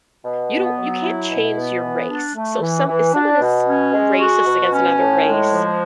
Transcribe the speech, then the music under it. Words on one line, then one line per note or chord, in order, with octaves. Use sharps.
you don't you can't change your race, so, some if someone is racist against another race,
B2
B3
F#3
E4
B2
B3
E3
D4
A3
E3
E3
D4
B2
C#4
G#3
F#4
B2
C#4
A2
G#3
F3